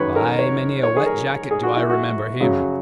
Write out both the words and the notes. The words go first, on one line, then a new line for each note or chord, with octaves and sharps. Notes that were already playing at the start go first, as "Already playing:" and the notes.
By many a wet jacket do I remember him.
Already playing: F#2 D#3 G#3 B4 C#5
A#4
C#5
C#5
G#4
A#4
G#4
F#4
E4
F#4
F#2 C#3 F#3